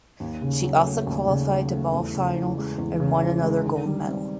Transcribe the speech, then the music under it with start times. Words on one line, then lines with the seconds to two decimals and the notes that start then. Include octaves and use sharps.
She also qualified to Ball final and won another gold medal.
0.20 D#2
0.42 C#3
0.63 F#3
0.85 A3
1.07 D#2
1.28 C#3
1.49 F#3
1.71 A3
1.93 E2
2.13 C#3
2.35 E3
2.57 G#3
2.78 E2
3.00 C#3
3.21 E3
3.43 G#3
3.64 D#3
3.85 G3
4.07 C4